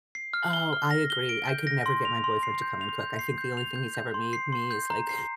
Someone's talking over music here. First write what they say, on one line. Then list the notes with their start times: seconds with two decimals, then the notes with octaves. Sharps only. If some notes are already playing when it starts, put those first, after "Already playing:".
Oh, I agree. I could never get my boyfriend to come and cook. I think the only thing he's ever made me is, like,
0.15 C7
0.34 F6
0.53 G7
0.73 F6
0.91 A#6
1.10 G7
1.29 D7
1.48 G6
1.67 A#6
1.86 C6
2.05 F7
2.24 C6
2.43 C7
2.62 G6
2.81 F7
3.00 G6
3.19 C7
3.38 G6
3.57 F7
3.76 G6
3.95 G6
4.14 C6
4.33 C7
4.52 C6
4.71 G6
4.90 A#5
5.09 C7